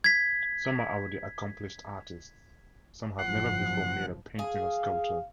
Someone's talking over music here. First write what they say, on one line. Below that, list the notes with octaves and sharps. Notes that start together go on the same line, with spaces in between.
Some are already accomplished artists; some have never before made a painting or sculpture.
G#6 B6
F#1 G#2 F3 F#5 C7
G#4 F5